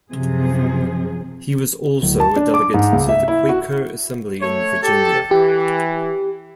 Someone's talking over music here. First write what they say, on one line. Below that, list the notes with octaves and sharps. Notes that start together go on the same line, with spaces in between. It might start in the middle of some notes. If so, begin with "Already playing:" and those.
He was also a delegate to the Quaker Assembly in Virginia.
F#2 C3 F3 G#4
D1
A5
D4
D6
G#2
C#2
E5
E4
F#4
A3 C#5
G4 A4
E3 G4